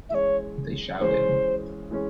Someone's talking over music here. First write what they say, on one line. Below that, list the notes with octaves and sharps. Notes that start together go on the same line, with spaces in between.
They shouted.
E3 G#3 C#4 C#5 E5
E3 G#3 C#4 C5
E3 G#3 C#4